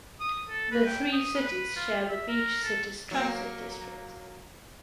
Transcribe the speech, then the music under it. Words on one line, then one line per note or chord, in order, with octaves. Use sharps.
The three cities share the Beach Cities Transit district.
D#6
A4
B4
G5
D#6
B4
F4
E5
A#4
A4
F#3 A#3